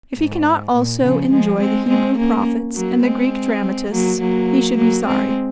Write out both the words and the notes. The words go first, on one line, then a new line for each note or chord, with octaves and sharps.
If he cannot also enjoy the Hebrew prophets and the Greek dramatists, he should be sorry.
G#2
A#2
C#3 F3
F3 G#3
G#3 C4
G#3 C4
A#3 C#4
F#3 A#3
G#3 C4
F#3 A#3
F#3 A#3
F#3 A#3
G#3 C4